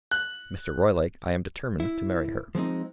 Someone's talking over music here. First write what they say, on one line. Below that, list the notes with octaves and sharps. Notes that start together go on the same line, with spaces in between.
Mr. Roylake, I am determined to marry her.
F#6
E4
F3 G#3 C4 D#4